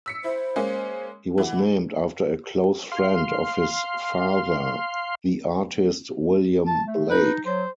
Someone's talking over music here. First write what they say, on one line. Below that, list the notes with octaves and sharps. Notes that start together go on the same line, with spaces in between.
He was named after a close friend of his father, the artist William Blake.
E6 B6 C#7
E4 C5
G#3 A#3 C#4
E3 F#5
F5 C6
A5
A3
D#4 B4
F#3 C5